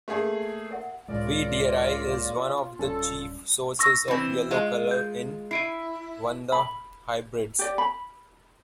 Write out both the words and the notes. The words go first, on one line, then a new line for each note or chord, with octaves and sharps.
"V. dearei" is one of the chief sources of yellow color in "Vanda" hybrids.
A3 A#3 G4 G#4
A#4 E5 F#5
C#2 A2 C#3 G#3 F4 A#4 D5
D1 G3 C#4 A4
C#6 E6 A#6
E3 C4
G#3 F4
G6
E4 C7 D7 D#7
B5
G4 D5
B5